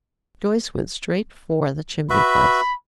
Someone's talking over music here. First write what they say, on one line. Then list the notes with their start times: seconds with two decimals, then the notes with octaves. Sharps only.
Joyce went straight for the chimney-place.
2.10 F#4 B4 E5 B5